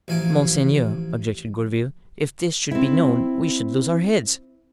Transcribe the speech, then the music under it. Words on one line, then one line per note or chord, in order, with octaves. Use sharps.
"Monseigneur," objected Gourville, "if this should be known, we should lose our heads."
A1 F3 F5 G#5 D6
C4 E4